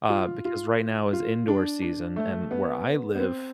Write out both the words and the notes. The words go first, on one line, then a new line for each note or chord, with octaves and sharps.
uh, because right now is indoor season and where I live,
F4
F4
F4
D4
D4
A3
B3
B3
C4